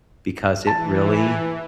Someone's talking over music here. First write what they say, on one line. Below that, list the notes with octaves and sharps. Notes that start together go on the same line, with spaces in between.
"because it really"
E3 A5